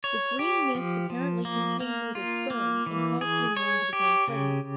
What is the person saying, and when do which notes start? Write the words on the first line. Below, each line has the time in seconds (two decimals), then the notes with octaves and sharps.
The green mist apparently contained Muta's sperm and caused Yinling to become pregnant.
0.04 C#5
0.39 G4
0.75 F3
1.10 F3
1.45 A#3
1.80 A#3
2.15 F4
2.50 A#3
2.86 E3
3.21 G#4
3.57 C#5
3.93 G4
4.28 C#3